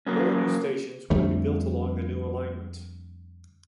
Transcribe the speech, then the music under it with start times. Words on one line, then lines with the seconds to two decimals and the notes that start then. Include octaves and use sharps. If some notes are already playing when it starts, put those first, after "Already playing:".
Four new stations would be built along the new alignment.
0.07 F#3 A#3 C#4
1.10 F2 D3 G3 A3